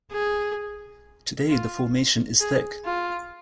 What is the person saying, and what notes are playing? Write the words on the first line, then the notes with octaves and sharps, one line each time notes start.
Today the formation is thick.
G#4
F4
G#4
F4